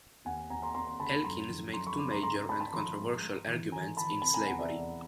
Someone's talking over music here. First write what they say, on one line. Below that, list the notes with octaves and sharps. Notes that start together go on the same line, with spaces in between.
Elkins made two major, and controversial, arguments in "Slavery".
D#2 F#5 G#5
D#2 G#5 A#5
A#5 C6
D#2 A#5 C6
C#3 A5 B5
F#2 A#5 C6
F3
F#2 A#5 C6
B5 C#6
C#3 C6 D6
A#5 C6
G#2 A#5 C6
A#5 C6
G#2 A5 B5
A5 B5
F3 A#5 C6
G#2
G#2
E3
E3 G#5 A#5
E3 A5 B5
C3 A5 B5
G#5 A#5
E2 F#5 G#5
D5 E5
E2